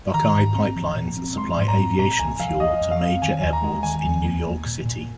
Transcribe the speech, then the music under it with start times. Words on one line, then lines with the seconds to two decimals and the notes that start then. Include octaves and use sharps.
Buckeye pipelines supply aviation fuel to major airports in New York City.
0.14 D#3 A#5
0.35 G#2
0.55 C4
0.76 F3
0.96 A#2
1.17 C4
1.37 G#3 C6
1.58 G#2
1.68 A#5
1.78 C4
1.99 A#2 A#5
2.19 C2 G#5
2.39 F3 F5
2.60 F3 D#5
2.81 F2
2.91 F5
3.01 C4
3.22 D#3 G#5
3.43 D#2
3.53 A#5
3.62 G#3
3.83 D#3 G#5
4.04 D#2
4.25 A#3
4.46 A#3
4.66 A#2
4.85 A#2